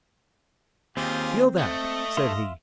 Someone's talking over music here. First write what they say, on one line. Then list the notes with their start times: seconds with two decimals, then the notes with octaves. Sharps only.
"Feel that!" said he.
0.97 D#2 C4 F4 G4 G#4
1.58 A3 D#5
2.17 E5 F5 C6